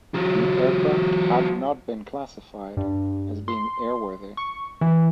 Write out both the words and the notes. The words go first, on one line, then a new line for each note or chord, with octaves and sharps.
The aircraft had not been classified as being airworthy.
F#3 F4
G2
C6
C#6
E3